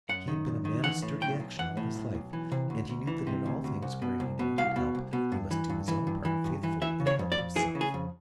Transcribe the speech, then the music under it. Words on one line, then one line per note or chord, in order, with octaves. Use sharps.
He had been a man of sturdy action all his life, and he knew that in all things wherein he wanted help he must do his own part faithfully, and help himself.
F#2 F#5
D#3
F#2
D#3
E3 F#5
A2
B1 G5
B1
E3 F#5
A2
B1
B1
E3
C3
D2
D2
E3
C3
D2
D2
C2
B2
C2
B2
C2 F5
B2
C2
B2
G2
E3
G2
E3
G2
E3
G2
E3
E3 E5
C#3
C#5
F2
D5
F2
E3 G#4
C#3
G#4
F2